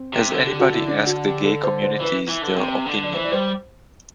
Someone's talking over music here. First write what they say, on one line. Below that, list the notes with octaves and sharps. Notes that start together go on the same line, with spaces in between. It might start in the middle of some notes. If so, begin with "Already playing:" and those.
Has anybody asked the gay communities their opinion?
Already playing: C4
C3
D3 A4
G4
F#4
E4
D4
F#4
G4
A4
C5
C5
E3 B4
E3
D3
C3
D3
D5
E3 C5
D5
G3 C5